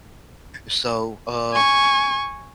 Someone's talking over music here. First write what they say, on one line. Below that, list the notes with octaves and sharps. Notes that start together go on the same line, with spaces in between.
So, uh,
G#5 C#6